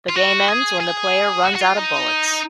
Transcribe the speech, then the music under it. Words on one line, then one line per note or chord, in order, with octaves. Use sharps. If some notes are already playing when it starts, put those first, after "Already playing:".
The game ends when the player runs out of bullets.
F4
F#4
G#4
G#4
F#4
F#4
F4
D#4